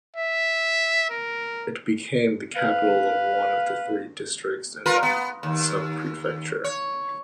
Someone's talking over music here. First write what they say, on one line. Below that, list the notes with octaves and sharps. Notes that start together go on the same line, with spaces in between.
It became the capital of one of the three districts and then sub-prefecture.
E5
A#4
B4 F5
F4 A#4 B4
B3
D#2
C#5